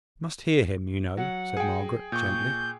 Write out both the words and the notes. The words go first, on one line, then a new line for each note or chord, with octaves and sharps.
"I must hear him, you know," said Margaret, gently.
F#3 F#5
G#4 G5
A#2 C#6 G6